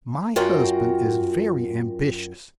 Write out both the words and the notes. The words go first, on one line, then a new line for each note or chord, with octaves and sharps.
My husband is very ambitious.
F#2 F4 F#4 A#4 G5